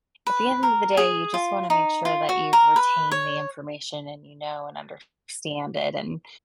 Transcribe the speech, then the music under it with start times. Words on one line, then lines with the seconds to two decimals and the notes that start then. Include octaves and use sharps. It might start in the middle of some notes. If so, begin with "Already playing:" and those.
at the end of the day, you just wanna make sure that you've retained the information and you know and understand it and
0.27 B4
0.63 A#4
0.97 G#4
1.34 F4
1.70 D#4
2.05 F4
2.29 F#4
2.53 A#4
2.76 B4
3.12 C#5